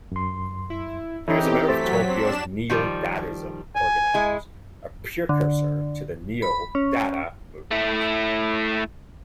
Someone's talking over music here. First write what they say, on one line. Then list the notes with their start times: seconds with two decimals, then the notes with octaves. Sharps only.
He was a member of Tokyo's Neo-Dadaism Organizers, a precursor to The Neo-Dada movement.
0.12 F#2 C6
0.70 E4
1.28 E3 C4 D#4 E4 G4 A4 C#5
1.68 F#3 A3 C5 A6 B6
2.09 C4 D4 E7
2.70 D#3 F3 G3
3.76 G#5
4.14 G#3 E4
5.29 D3
6.42 B5
6.75 C#4
7.71 A3 E4